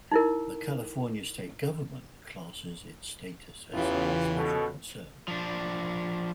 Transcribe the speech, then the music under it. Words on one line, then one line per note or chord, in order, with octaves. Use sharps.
The California State Government classes its status as "Special Concern".
D#4 E4 A#4
A1 E2 C#3 E3 C#4 F4 G4
B2 A4
F3 D4